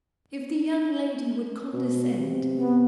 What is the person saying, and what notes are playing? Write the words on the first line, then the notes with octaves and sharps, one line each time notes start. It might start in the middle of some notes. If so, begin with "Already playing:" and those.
If the young lady would condescent!
B2
C3
B3